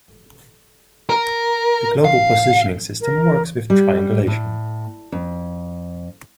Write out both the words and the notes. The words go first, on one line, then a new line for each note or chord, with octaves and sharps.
The global positioning system works with triangulation.
A#4
F5
A#4
G3
A2
F2